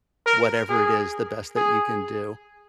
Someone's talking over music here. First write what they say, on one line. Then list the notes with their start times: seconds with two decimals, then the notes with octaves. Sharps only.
whatever it is, the best that you can do.
0.26 A#4
0.70 G#4
1.56 G#4